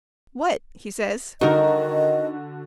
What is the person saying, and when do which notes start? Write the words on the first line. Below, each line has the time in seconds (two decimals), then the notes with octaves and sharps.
"What?" he says.
1.41 D3 D#3 D#4 F#4 A#4 D#5